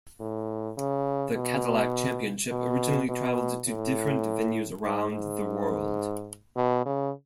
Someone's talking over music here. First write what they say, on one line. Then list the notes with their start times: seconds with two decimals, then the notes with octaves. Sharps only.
The Cadillac Championship originally traveled to different venues around the world.
0.20 A2
0.78 C#3
1.36 B2
2.51 B2
3.09 B2
3.68 A2
4.83 G#2
5.11 G#2
6.56 B2
6.85 C#3